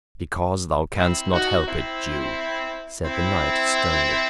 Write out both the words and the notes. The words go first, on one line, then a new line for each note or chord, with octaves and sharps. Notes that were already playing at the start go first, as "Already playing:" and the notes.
"Because thou canst not help it, Jew," said the knight, sternly.
C4 E4
D#4 F#4
C4 E4
C4 E4